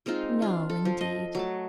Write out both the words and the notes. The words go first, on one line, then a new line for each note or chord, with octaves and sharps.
"No, indeed."
G#3 C4 D#4 F4
D4 F4
A4
F3
D#5
F#3 A3 A5